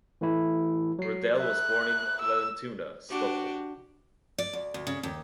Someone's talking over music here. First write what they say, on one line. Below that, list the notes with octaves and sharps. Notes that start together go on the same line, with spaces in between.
Rydell was born in Vallentuna, Stockholm.
E3 A3 E4
F#3 C7
E5 F#6
E6
D4 F#4 G4
D5
D2
D2
C#3
D#2